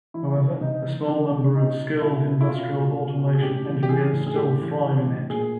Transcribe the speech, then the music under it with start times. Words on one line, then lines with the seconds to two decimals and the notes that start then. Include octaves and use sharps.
However a small number of skilled industrial automation engineers still thrive in it.
0.14 E3 E4
0.37 C3
0.61 C3 D#4
0.84 E3
1.08 E3 D4
1.32 C3
1.54 B2 D#4
1.78 B2
2.01 B2 E4
2.25 B2
2.41 E4
2.48 B2 F4
2.72 B2
2.95 B2
3.19 B2
3.35 G#4
3.42 A2 G4
3.66 E3
3.83 G4
3.89 E3 G#4
4.12 A2
4.27 G#4
4.36 A2 G4
4.60 E3
4.83 E3
5.06 A2
5.30 A#2 G#4